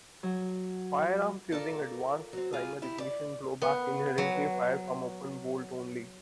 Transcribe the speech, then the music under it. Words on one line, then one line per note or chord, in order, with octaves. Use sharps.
Firearms using Advanced Primer Ignition blowback inherently fire from open bolt only.
F#3
F4 A4 A#4 D5
F#3 C4
G3 F4 G#4
E4 G4
D5
B3
F#3